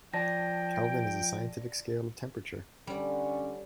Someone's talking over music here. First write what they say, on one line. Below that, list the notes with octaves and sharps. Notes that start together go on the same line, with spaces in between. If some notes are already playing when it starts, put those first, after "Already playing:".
Kelvin is a scientific scale of temperature.
F3 D5 G5 A5 A#6
D3 G3 C#4